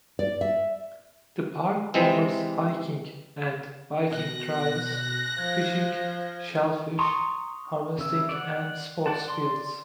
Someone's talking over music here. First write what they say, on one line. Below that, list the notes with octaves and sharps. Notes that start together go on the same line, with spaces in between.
The park offers hiking and biking trails, fishing, shellfish harvesting, and sports fields.
D5
E5
C3 E3 G#3 C4
B2 F#6 A#6
F3 G#6
A#5 C6 C#6 D#6
C#3 E5 E6
D5 F#5
D5 F#5 A5
D5 C6